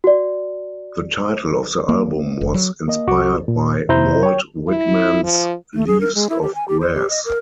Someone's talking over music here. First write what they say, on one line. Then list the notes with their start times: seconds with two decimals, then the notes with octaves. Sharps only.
The title of the album was inspired by Walt Whitman's "Leaves of Grass".
0.04 F#4 D5
1.89 A#3
2.41 F1
2.54 F#3
2.88 A#3 D#5
3.07 C2 F#4 C#6 D6
3.48 A#2
3.89 F2 C3 E4 C5 A#5 G6
4.23 C#5 G5
4.68 E4
5.24 F3
5.74 A3
5.87 G#4
6.01 A#4
6.15 G#3
6.30 E4
6.42 G4
6.55 G#5
6.68 G4
6.80 C5
6.94 G4
7.10 D#5
7.25 A#4